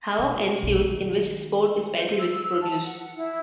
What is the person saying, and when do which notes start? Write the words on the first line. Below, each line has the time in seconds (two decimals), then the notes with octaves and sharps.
Havoc ensues, in which Spode is pelted with produce.
0.19 B2
0.63 B1
0.78 D#3
1.95 C5
2.17 E6
2.60 A5
2.85 F#5
3.16 E4